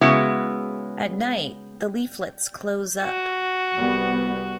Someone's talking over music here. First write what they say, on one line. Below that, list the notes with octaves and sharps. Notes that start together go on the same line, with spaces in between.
At night, the leaflets close up.
C#3 G#3 B3 E4 F#4
F#4
C2 G3 B3